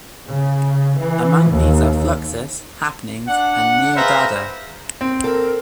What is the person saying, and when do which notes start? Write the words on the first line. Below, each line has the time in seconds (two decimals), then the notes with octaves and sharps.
Among these are Fluxus, Happenings, and Neo-Dada.
0.26 C#3
0.99 E3
1.51 D#2
3.28 D4 F#5
3.96 G#4 B4 C5 E5 F5 A#5
5.01 C4
5.24 A4 A#4